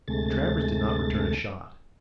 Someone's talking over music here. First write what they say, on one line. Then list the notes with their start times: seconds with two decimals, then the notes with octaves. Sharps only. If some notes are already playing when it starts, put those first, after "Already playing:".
The trappers did not return a shot.
0.08 D2 C3 G#3 A3 A6